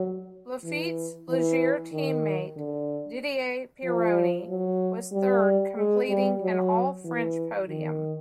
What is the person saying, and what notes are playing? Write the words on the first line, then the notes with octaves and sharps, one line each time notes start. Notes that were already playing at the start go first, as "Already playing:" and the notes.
Laffite's Ligier team mate Didier Pironi was third, completing an all-French podium.
Already playing: F#3
E3
E3
D#3
D3
F3
F#3
G3
G#3
G3
F#3
E3
D#3